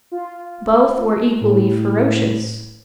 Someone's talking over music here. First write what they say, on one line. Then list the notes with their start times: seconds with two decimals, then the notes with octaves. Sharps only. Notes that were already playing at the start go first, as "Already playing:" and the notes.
Both were equally ferocious.
0.12 F4
1.41 A2